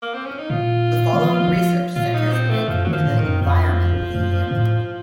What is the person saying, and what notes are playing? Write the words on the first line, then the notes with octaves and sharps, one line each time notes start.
The following research centres link to the environment theme.
A#3
C4
C#4
D#4
A#2 F4
D#3
F3
A#2 F4
D#4
C4
A3
F#2 F3
D#3 F#3
F3
A2
D#3
F#2
F2 F3
F#2
A2